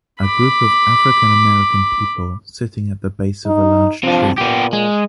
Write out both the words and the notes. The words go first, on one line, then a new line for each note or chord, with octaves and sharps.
A group of African American people sitting at the base of a large tree.
B5 D6
D#4
C3 F3 D4
A#2 B3 G4
G#3